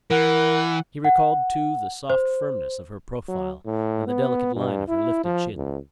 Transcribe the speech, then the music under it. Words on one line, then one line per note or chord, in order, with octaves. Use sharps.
He recalled too the soft firmness of her profile and the delicate line of her lifted chin.
E3 A#4 F#5
F#5
C5
F#3
A2
B3
G2
E4
F3
C#2